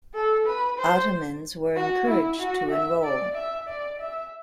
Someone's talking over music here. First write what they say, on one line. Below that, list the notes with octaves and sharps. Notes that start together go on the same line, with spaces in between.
Ottomans were encouraged to enroll.
A4
B4
C5
F#4
E4
F#4
E5
D5
E5
D5
E5